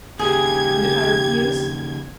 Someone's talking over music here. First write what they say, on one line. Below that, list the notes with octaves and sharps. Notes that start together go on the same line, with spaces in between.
"And if I refuse?"
D#2 C#3 G4 G#4 G#6